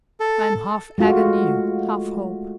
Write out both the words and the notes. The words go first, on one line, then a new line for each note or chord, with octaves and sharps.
I am half agony, half hope.
A4
G#3 A3 F4 F#4